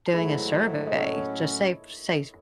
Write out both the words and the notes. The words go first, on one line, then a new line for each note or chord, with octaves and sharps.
doing a survey, just say say
G#2 D#3 F#3 A3 E4 G#4
D#5
A2 F#3 C#4 A4 C#5